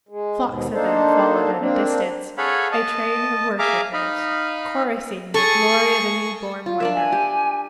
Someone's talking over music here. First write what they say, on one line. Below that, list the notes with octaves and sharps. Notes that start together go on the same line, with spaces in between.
Flocks of them followed at a distance, a train of worshipers, chorusing the glory of the new-born wonder.
G#3
D#2 G#2 B2
A#3 D4 D#4 A4 C5
A#3 C4 D4
G#4 A4 C#5 F5 F#5 B5
D#5 A5
G#4 E5 F5 A#5 D6
D#4 D#5 F5 B5
G#4 A4 C#6
F4
D4 A#4 D5 E5
G#5
G4